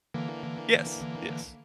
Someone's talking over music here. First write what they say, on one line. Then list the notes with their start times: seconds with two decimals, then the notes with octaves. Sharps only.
Yes, yes.
0.14 D3 E3 A#3